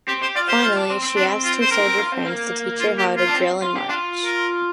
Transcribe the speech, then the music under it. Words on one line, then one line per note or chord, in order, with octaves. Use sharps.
Finally she asked her soldier friends to teach her how to drill and march.
C4 G4
G4 C5
F4 D5
G4 C5
F4
D4
C4
C4
D4
F4
C5
C4 A#4
C4
F4
C4
A#3
F4
G4
F4
D4
C4
F4
G4
D4 F4
A#4